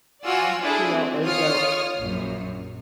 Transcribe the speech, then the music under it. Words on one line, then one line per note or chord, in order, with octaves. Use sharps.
I feel as though,
F4 F#4 D5 F#5 G#5 E6
D4 E4 G#4 A4 D5
C4
F4 C#5 D#6 F6
A#1 F#2